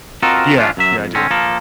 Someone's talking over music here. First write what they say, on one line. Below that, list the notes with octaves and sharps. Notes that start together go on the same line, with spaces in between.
Yeah, yeah, I do.
C4 F4 F#4 A4 A#4 D#5
F3 C#4 D4 F4
F#2 F#3 E5
F2
D3 C4 C#4
F3 A#3 A4